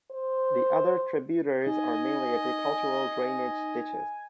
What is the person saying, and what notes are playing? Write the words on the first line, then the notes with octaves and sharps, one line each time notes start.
The other tributaries are mainly agricultural drainage ditches.
C5
D#4 D#5 G#5